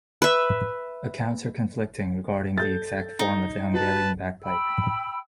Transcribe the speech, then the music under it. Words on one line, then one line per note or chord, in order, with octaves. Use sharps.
Accounts are conflicting regarding the exact form of the Hungarian bagpipe.
B4 E5
A4 G6 A6
D#4
F#4 B4 A5
G5 B5 E6